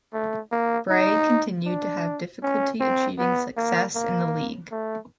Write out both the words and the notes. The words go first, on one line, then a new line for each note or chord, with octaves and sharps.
Bray continued to have difficulty achieving success in the league.
A3
A#3
D#4
D4
C#4
C4
B3
A#3
A#3
A3